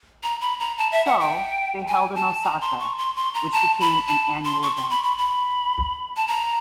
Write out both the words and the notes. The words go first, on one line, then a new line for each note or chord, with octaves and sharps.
So, they held in Osaka, which became an annual event.
A#5
B5
A#5
A5
E5
F#5
G5
G#5
A5
A#5
C6
C#6
C6
C6
A#5
A5
B5
A5
C6
C#6
C6
B5
B5
B5
A5
A#5